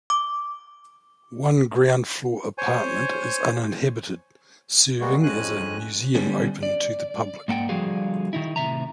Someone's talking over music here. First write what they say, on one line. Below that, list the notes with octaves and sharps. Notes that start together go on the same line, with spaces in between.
One ground-floor apartment is uninhabited, serving as a museum open to the public.
D6
C5 C#5 G#5
G3 G#3 A#3 B3 F#4
F2 F3 G#3 C#4 G#5 F#6
D3 G3 B3 C#4
D5
G#2 A#3 F#5 G5
D3 F3 G3 F#4 G#4 F5
D#3 D#4 E4
A2 C3 E5 A#5